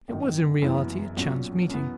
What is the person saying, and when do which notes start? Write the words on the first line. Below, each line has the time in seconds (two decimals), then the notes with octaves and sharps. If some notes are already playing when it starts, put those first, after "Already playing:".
It was in reality a chance meeting.
0.08 G#1 F#2 D#3
0.62 F#1 F#2 E3 B3 E4
1.17 B1 A#2 F#3 C#4
1.70 F#2 E3 B3